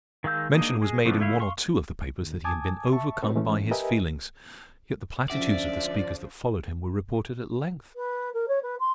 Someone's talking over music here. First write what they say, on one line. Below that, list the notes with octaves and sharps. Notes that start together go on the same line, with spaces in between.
Mention was made in one or two of the papers that he had been overcome by his feelings. Yet the platitudes of the speakers that followed him were reported at length.
D#3 G#3 F5 E6 G6
G#3 A#3 D4 D#4 D#5
G#3 G#4
C#3 F3 A3 B3 D4
D3 A3 E4 F5
F5 C6 C#6
D#2
G#5 A5 D6 D#6 G#6
E5 A5 C#6
C4 D#4 F#4 A4 B4 C#5
E3 G#3 A3 C#4
G4 A#4 B4 D#5 E5 G#5
D3 F3 C#4 D4 D5 E5 F#5
B4
A#4
C#5
B4
C6